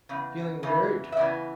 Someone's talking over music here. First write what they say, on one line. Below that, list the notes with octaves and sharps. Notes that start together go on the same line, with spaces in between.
Feeling very tired.
E2 C#3
E2 C#3 E3
E5
E2 C#3 E3 D5